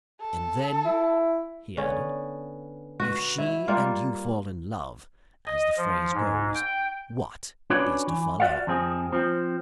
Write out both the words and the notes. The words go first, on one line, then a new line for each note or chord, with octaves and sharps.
"And then," he added, "if she and you fall in love, as the phrase goes, what is to follow?"
A4
E4
D3 B3 C#4
F#4 B4
E4
G3 A#3 F4 F5
D#5
F3
G#2
G5
C#4 D4 F#4 B4 C#5 D5
E3
F#4 D5 E5 F5
F2 F3 C4 G#4
F3 C4